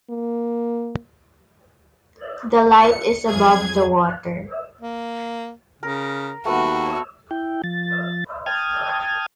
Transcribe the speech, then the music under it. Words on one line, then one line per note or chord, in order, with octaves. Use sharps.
The light is above the water.
A#3
C#7
F2 F#3 G#4 G#6
A#3
C#3 A#4
D#2 A3 B3 F#4
E4 G5
F3 A6
G5 A5 D#6 F6 G#6